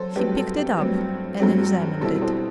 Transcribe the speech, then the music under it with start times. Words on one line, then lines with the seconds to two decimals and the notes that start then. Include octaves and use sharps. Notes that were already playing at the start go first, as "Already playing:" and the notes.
He picked it up and examined it.
Already playing: F#3 A4 C5
0.16 G2 F#3 A3 C4 G4 B4
0.36 A4
0.57 G4
0.78 G2 F#3 A3 C4
1.40 G2 F#3 A3 C4
2.01 B2 G3 C4 E4 A4
2.21 A4 C5